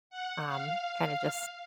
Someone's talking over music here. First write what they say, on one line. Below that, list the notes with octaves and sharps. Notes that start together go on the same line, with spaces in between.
um, kinda just
F#5
F5